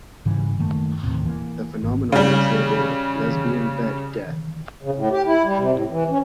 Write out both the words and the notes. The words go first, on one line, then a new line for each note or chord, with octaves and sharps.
The phenomenon was labeled "lesbian bed death".
G#2 C#3 E3 G3
F#2 D#3 A3 A#3
D#2 A2 C3
E3 A#3
G#1
C#3 G3
C#3
A2
G4
E4
G3
C3
A2
E3
C#4